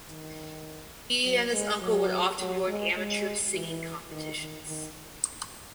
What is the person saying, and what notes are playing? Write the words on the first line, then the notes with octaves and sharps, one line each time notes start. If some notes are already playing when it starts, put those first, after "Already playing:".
He and his uncle would often join amateur singing competitions.
D#3
F#3
G#3
F#3
F#3
G#3
G#3
E3
D#3
D#3
D#3